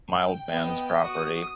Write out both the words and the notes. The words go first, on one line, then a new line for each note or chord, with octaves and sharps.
my old man's property
G5
B3 D#5
F#4 D#6